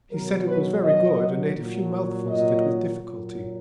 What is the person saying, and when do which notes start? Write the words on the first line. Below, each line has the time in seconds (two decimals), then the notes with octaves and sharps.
He said it was very good and ate a few mouthfuls of it with difficulty.
0.11 B2 F#3 A#4
0.47 B4
0.84 D#5
1.56 A#2 F#3
2.29 D#5
3.01 A#2 F#3